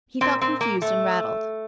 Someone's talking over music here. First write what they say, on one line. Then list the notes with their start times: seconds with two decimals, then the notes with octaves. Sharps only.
He felt confused and rattled.
0.21 A#2 C4
0.41 C4
0.61 A#3
0.82 A3